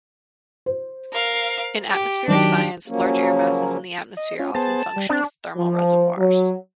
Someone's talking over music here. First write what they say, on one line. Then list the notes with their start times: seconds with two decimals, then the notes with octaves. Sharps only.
In atmospheric science, large air masses in the atmosphere often function as thermal reservoirs.
0.66 C5
1.12 A#4 F5
1.90 G4
2.28 D#3 F#3 D4 G4
2.88 C#3 F3 F#3 A#3 C#4
4.17 D#5
4.39 C#4 F4
4.55 B3 G#4 C5 A5
4.96 G3
5.09 C4 D4
5.57 F3
6.18 F#3